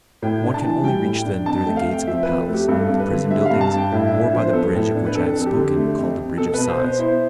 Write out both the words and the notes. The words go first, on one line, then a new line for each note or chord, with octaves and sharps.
One can only reach them through the gates of the palace, the prison buildings, or by the bridge of which I have spoken called the Bridge of Sighs.
A2 G5
D4
A5
E3
G3 G5
A2
G5
D4
F2 A5
G5
A3
F5
C3
G5
F3 E5
B4
F2
A4
A3
G4
G2 A4
G2
B4
D3
G3 E5
F5
G2
A5
G2
G5
A2 E5
D4 E5
E5
F3
C5
B3 A4
A2
D4
B4
F2 A4
F2
A4
G4
D3
A3
F2
F2
B2 A4
B2 B4
C5
B3
C5
E4 C5